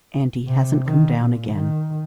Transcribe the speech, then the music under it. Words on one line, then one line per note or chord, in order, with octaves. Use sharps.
'And he hasn't come down again.
C3
D#3
A#2
D#3